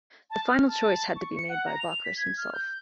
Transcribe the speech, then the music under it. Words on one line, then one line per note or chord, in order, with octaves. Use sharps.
The final choice had to be made by Bockris himself.
A5
F6
A5
C#6
C#7
F#5
A#5
F7
B6
G#6
F6
G6